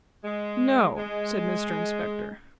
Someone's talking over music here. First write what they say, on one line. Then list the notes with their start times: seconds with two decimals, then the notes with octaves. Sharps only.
'No,' said Mr Inspector.
0.24 G#3
0.97 G#3